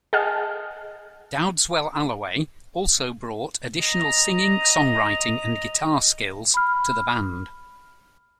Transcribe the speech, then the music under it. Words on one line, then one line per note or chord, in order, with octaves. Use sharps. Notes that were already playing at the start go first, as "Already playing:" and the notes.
Dowdeswell-Allaway also brought additional singing, songwriting and guitar skills to the band.
G#4 D#5 F#5 A5 F6
D#5 A#5
B5 F6